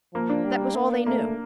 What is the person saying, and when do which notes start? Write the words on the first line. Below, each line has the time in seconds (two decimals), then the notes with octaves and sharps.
That was all they knew.
0.14 F3 A#3
0.29 D4
0.44 G3
0.75 A#3
1.06 A3 A#3